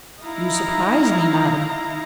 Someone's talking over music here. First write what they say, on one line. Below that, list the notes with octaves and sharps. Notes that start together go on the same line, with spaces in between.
"You surprise me, madam."
D#4 E4 F5 A#5